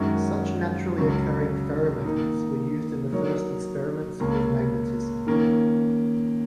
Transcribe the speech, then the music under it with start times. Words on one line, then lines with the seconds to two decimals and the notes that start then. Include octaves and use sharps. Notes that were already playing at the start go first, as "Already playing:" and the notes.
Such naturally occurring ferromagnets were used in the first experiments with magnetism.
Already playing: F#2 D#3 G#3 C#4 F#4
0.98 C#2 C#3 F#3 C#4
2.04 D#3 A#3 D#4
3.12 F#3 D#4 A#4 C#5
4.20 C#2 C#3 A#3 C#4
5.27 D#3 A#3 C#4